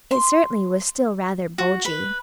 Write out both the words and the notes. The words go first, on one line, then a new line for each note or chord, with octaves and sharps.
It certainly was still rather bulgy.
C6
F#4
B4